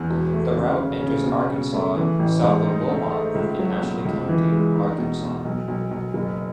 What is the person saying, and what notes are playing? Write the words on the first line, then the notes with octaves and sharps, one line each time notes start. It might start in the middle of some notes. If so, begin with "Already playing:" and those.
The route enters Arkansas south of Wilmot in Ashley County, Arkansas.
Already playing: E2
E1
A3
C#3
C#3
C#3
B2
B2
A3
E3
A1
G#2
D#4
A3
A3
C#2
F#3
B2
C#2
E3
G#3
D#4
B2
B2
B1
B1
B1
F#1